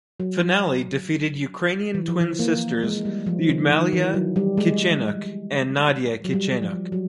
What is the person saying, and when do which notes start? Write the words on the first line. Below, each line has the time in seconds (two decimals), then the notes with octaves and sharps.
Finale defeated ukrainian twin sisters Lyudmyla Kichenok and Nadiia Kichenok.
0.20 F#3
1.94 E3
2.08 F3
2.21 E3
2.39 A#3
2.83 G#3
3.05 G3
3.27 F3
3.49 D#3
3.71 D#3
3.93 E3
4.14 F#3
4.36 G3
4.57 G#3
6.24 F#3
6.33 G3
6.62 F3
6.92 F#3